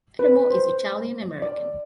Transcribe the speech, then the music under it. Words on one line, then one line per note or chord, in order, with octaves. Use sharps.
Adamo is Italian American.
B4
C5
D5